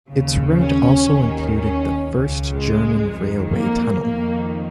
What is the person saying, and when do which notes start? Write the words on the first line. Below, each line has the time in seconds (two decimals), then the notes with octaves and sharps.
Its route also included the first German railway tunnel.
0.10 D#2 C#3
0.60 C#4
1.09 D#2 D#3
1.57 C#4
2.05 C#2 C#3
2.54 G#3
3.03 F2 D#3
3.51 A#3
4.00 F2 D#3 A#3